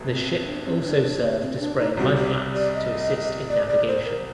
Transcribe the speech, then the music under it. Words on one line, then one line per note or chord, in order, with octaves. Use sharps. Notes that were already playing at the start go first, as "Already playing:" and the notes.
The ship also served to spray mudflats to assist in navigation.
Already playing: G1 G2 F#3 A3
C4
C4
D4
C4
D4
C4
D4
A#3
C4
D4
D#4
C2 C3 G3 F#4
G4
D5
D#5
D5
D5
C5
A#4